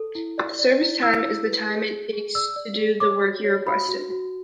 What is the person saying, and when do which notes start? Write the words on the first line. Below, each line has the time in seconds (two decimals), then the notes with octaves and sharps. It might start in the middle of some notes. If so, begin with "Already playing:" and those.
The service time is the time it takes to do the work you requested.
Already playing: A4
0.15 E4
0.38 D5
0.59 D5
0.81 E4
1.03 E4 E6
1.26 E4
1.47 B4
1.70 G#4
1.91 G#4
2.13 G#4
2.35 D5 E6
2.56 D5
2.78 G#4
3.00 C#5 D6
3.23 F#4
3.44 C#5
3.66 F#4 B5
3.89 F#4
4.10 F#4